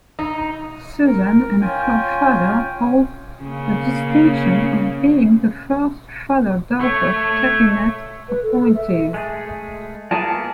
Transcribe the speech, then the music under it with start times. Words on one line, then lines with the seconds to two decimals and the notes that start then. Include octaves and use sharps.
Susan and her father hold the distinction of being the first father-daughter cabinet appointees.
0.19 D#4
1.06 A#4
1.61 C#4 F4 G5 G#5
3.43 C#3 A#3
6.81 A3 C#5
8.28 B4
8.43 A4
8.62 A4
8.75 E5
9.14 G#3 A3 G#4
10.11 A#3 B3 G#4 A#4 G#5 A5